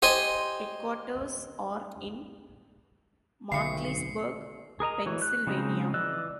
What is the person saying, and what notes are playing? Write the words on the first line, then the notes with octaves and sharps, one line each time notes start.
Headquarters are in Markleysburg, Pennsylvania.
G4 C5 D#5 G#5
B1 D3 D#3 A3 E5 F5 C7 C#7
G#4 A#4 D#5 A#5
E3 F#4 C#5
F#6
C#3 F3 G#3 C4 D#4
E3 D5 D#5 E6 F#6